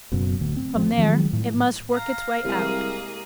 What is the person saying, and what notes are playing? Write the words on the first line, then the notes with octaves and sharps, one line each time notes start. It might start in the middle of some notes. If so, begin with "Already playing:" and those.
From there it must work its way out.
F#1 F#2 B2
D1 D2
C4
A1 F3 C4
D#3 F3 F#3 G#3
A2
F5 A#5
C2 G#3 A#3 G4 G#4 A#4